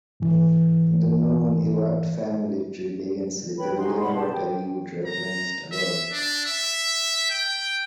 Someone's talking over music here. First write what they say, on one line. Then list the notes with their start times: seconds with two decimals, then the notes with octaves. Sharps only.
The known Evatt Family Tree begins with the William Walter Euote referenced above.
0.20 G#2 E3
3.58 B4 C#5 G5 B5
3.77 D#4 F#4 G#5 C6
3.99 F#5 B5 C6
4.16 G4 G#4 A5
4.32 G5
5.06 A#5
5.72 E5
6.13 D4
6.46 E5
7.31 G5